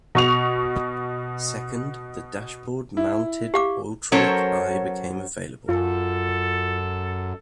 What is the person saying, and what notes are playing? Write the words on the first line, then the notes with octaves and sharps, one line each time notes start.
Second, the dashboard-mounted "Autronic Eye" became available.
B2 C#6 F7
E4
G4 F5 D6
F#3 C#4 A4 A#4 C5 C#5
F#2 F4 A4